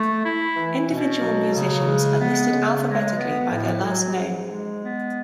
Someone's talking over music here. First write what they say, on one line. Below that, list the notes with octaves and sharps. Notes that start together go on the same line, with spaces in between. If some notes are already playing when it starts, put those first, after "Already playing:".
Individual musicians are listed alphabetically by their last name.
Already playing: A3
E4
E3
B2
F#3
C#3
G#3
B3
C#3
G#3
B3
A2
F#3
G#2
G#3
B3